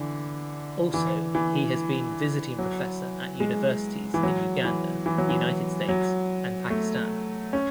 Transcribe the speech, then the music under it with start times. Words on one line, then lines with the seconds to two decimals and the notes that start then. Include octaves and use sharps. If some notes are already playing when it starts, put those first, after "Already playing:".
Also, he has been visiting professor at universities in Uganda, United States and Pakistan.
Already playing: D3 E3
0.94 E3
1.35 E3
2.58 F#3
3.40 G#3
4.14 E3
4.23 F#3
4.65 E3
5.06 E3
5.18 F#3
5.29 E3
5.88 F#3
6.70 A3
7.53 C#4